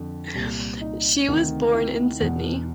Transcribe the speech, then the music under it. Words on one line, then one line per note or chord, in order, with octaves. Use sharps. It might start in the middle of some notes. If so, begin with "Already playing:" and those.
She was born in Sydney.
Already playing: F2 D3
C2 A#2
D#4
D2 C3 D#3
E4
E2 B2